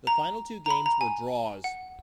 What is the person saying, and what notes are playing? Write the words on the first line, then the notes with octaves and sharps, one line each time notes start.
The final two games were draws.
A#5
A#5
B5
A#5
G#5
F#5